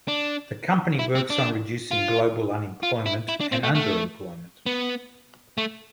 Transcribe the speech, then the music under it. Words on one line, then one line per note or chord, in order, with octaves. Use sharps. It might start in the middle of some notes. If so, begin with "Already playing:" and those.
The company works on reducing global unemployment and underemployment.
D4
E4
C4
D4
F4
F4
E4
E4
D4
C4
A3
A3
B3
A3